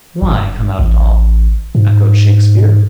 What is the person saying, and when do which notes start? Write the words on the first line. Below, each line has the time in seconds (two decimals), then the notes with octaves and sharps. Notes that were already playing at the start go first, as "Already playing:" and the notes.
"Why come out at all?" echoed Shakespeare.
0.22 F#1
0.79 A1
1.75 G#2